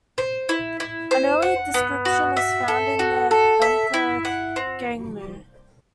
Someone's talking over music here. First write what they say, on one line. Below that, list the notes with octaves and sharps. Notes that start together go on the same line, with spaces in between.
An early description is found in the Bencao Gangmu.
C5
E4
E4
C5
F#5
B3
F#4
E5
A4
F#4
A4
E5
E4
F#5
C4